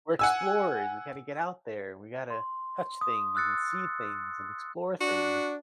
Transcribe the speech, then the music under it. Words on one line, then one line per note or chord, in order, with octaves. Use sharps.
we're explorers, we gotta get out there, we gotta touch things and see things and explore things,
F#5 G#5 E6
C6
D#6
D#6 E6 F#6 A6 C#7
D4 F#4